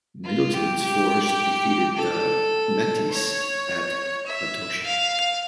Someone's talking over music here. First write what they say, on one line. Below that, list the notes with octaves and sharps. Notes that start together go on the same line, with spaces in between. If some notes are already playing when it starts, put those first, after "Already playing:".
Middelton's force defeated the Metis at Batoche.
F4
G4
G4
A4
C#5
E5
F5